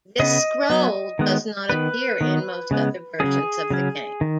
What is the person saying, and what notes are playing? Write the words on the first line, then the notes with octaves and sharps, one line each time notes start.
This scroll does not appear in most other versions of the game.
C#3 B3 D#5
F#3 B3
D#3 G#3 B3
D#3 B3 B4
D#3 B3
C#3 G#3 B3
C#3 F#3 C#4 G#4
C#3 F#3 C#4
D#3